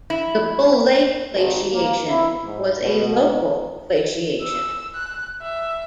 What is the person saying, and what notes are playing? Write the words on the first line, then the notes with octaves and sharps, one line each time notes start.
The Bull Lake glaciation was a local glaciation.
E4
G#1
A#3
E4
G#2
B2
E6
F#6
E5